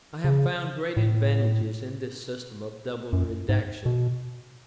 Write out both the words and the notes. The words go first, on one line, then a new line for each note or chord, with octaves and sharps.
I have found great advantages in this system of double redaction.
C#3
A2
F#2
G#2
B2